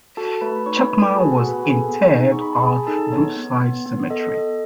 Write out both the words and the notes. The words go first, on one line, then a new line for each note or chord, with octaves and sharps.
Chapman was interred at Brookside Cemetery.
F#4 A4 A5
A3 B4 B5
B5
D#4 C#5 C#6
B4 B5
A3 B4 B5
A4 A5
F#4 G#4 G#5
F#4 F#5
B3
B4 B5
G#4 A4 G#5
B3
D#4
C#6
G#4 B5
A5
G#4 G#5
D#4 A4 A5
B3 C#5
B3
B3
B3
A4 D#5
A4 D#5